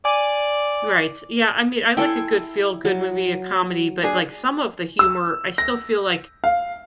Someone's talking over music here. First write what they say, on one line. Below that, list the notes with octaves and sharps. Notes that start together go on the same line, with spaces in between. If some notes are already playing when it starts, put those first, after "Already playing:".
Right, yeah, I mean, I like a good feel-good movie, a comedy, but, like, some of the humor, I still feel, like,
D5 G#5 D6
E4 A4 G5 G#5 C6
F#3
D4 G#4
E6
A#6
F5